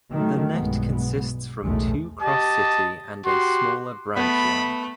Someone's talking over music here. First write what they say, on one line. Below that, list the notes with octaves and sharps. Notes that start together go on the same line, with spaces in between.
The net consists from two cross-city and a smaller branch line.
D#3 F#3 A3
B1 G2 B2 G#3 B3
B1 E2 A2 D#3 G#3 A3
G4 D#5 A5
F#4 G4 C6
A3 B3 B5